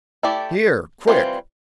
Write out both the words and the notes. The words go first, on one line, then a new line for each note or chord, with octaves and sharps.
"Here, quick!"
A3 E4 G4 D5
E3 G3 C4 F4 C5